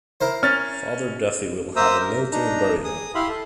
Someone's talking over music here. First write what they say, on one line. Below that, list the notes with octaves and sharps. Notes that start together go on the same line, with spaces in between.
Father Duffy will have a military burial.
E4 A#4 C5
C#4 F6 A6
A#3 C5 E5 A#5 D#6 E6
A#4
D4 D#4 A#5
G#4 D#6
E4 G4 E5 F5 B5 C6
A4